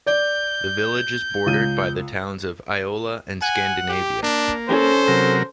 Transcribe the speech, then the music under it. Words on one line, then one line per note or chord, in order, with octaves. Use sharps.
The village is bordered by the towns of Iola and Scandinavia.
D5 G6
C#2 D#7
F#5 G#5
G4
A#3 D4
C#4 A4 C5
C3 F#3 A#4